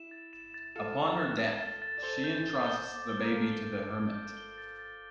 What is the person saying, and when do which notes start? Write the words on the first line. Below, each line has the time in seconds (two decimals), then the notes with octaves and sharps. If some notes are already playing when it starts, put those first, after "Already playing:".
Upon her death, she entrusts the baby to the hermit.
Already playing: E4 E7
0.11 A6
0.33 E7
0.54 A6
0.76 F4 A4 E7
0.97 G7
1.18 A6
1.39 E7
1.61 A6
1.82 A6
1.98 D5
2.03 A4 C5 G7
2.24 G6
2.46 G7
2.66 G7
2.88 D6
3.09 G7
3.22 A#4
3.30 F4 A4 D7
3.51 G7
3.73 D7
3.94 D6
4.15 G6
4.37 G7
4.58 A6
4.79 A6